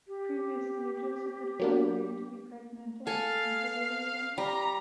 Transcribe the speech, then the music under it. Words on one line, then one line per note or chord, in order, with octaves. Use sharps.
Previously Joseph had found Mary to be pregnant and had considered leaving her.
G4
F#3 A#3 D4
A4 F5 G#5
G3 A#5